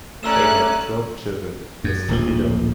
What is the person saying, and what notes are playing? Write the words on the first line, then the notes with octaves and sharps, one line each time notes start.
They had twelve children, listed below.
A3 C#4 D5 A#5 E6 F#6 E7
F#2
D1 A#1 F3